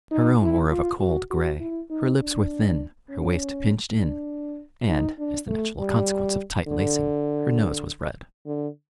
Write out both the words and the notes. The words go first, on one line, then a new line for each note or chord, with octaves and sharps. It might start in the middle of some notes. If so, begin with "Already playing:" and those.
Her own were of a cold grey, her lips were thin, her waist pinched in, and--as the natural consequence of tight lacing--her nose was red.
D#4
E4
F4
F#4
F#4
E4
D#4
D4
C#4
D4
D#4
D4
A3
G3
D3
D3